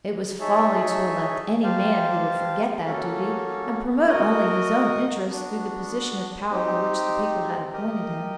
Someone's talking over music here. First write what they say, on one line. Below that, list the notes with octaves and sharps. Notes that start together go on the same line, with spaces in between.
It was folly to elect any man who would forget that duty and promote only his own interests through the position of power to which the people had appointed him.
D#4 G#4 C#5 E5 A5
G4 C5 F5 A5
A#3 C#4 F#4 A4
F#4 A#4 D#5
B3 D4 F#4
C4 D#4 G4
G4 A#4 D#5